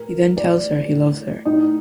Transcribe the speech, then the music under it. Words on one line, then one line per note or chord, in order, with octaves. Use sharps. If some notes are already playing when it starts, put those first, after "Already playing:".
He then tells her he loves her.
Already playing: A2 A#4
A2 D5
A2
A2 D#4